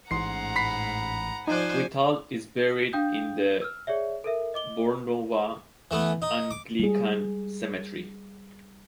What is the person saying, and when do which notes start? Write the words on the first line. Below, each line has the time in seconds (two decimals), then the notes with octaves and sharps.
Whittall is buried in the Bornova Anglican Cemetery.
0.11 A1 G#2 F#5 A#5 C6 C7
0.56 B5 B6 C7
1.47 F3 D#4 C5 D5 G#5 F#6
2.93 D4 F5 G5 D#6 G6
3.62 E6 F6
3.87 G#4 C#5 D5 E5
4.24 A4 A#4 E5
4.54 D#5 D6 G7
5.91 E3 A3 B3
6.22 D#4
6.51 D6
6.79 G3 G#4